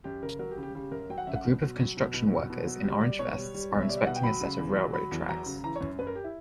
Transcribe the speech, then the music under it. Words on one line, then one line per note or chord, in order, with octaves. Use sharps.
A group of construction workers in orange vests are inspecting a set of railroad tracks.
F#2 G4
C#3 A#4
F#3 A#4
G4
C#3
G4
C#3 G4
F#2 A#4
F#3 G5
F#5
F#2 E5
F#5
B2
F#3
F#3
B2
B2
F#3
B2
F#3
G3
G3 D5
B2 C#5
G3
G3
B2
E5
G3 D5
E5
B2 F#5
G5
F#3 B5
C#3
E2
F#3
F#3 B5
E2
F#3 A#5
C#3
E3 A#5
C#5
F#2
F#2 B4
A#4
G4
E4